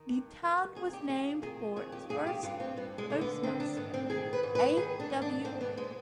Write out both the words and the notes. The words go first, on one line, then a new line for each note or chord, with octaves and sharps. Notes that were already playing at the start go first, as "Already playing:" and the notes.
The town was named for its first postmaster, A. W. Green.
Already playing: D#3
G2
D#3
C3 G#4
G4
F2 G#4
D#3 G#4
F2 G#4
G4
G2 G#4
G4
G2 F4
C4
G2 B3
G#3
D3
B3
D#3 C4
D4
G#2 B3
C4
D#3 G#4
B4
G#2
B4
D#3 G#4
D4
G#2
D4
G#2 C4
B3
G#3